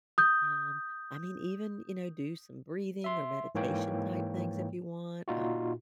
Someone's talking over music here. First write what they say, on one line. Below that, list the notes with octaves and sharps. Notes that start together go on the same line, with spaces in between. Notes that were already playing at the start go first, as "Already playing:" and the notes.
um, I mean, even, you know, do some breathing or meditation type things if you want, um,
D#6 G6
E5 C6
G#2 E3 A#3 C#5 G5
A#2 D#4 F4 F#4